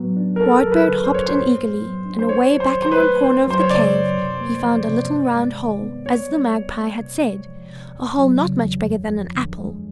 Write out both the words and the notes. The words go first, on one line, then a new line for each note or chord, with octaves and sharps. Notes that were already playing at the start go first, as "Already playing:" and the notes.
Whitebird hopped in eagerly, and away back in one corner of the cave he found a little round hole, as the Magpie had said; a hole not much bigger than an apple.
Already playing: A2 F#3 B3
D4
A#4
F#2 A4
F#3 A#4
B4
D3
C5
F#2 C#5
C5
A2
B3
F#3
D4
C5
G#2 C#5
F#3
C5
D#3
C5
B4
A3
F#2 C5
F#3 C5
C#5
C#3 D5
F#2
C3
A#3
F3
C3
G2
G#3
D#3
B3
C#2 C#5
G3
B2
A#3
C3
G#3
F3
C3
E2
F#3
C#3
E2
F#2
F3
D3
G#3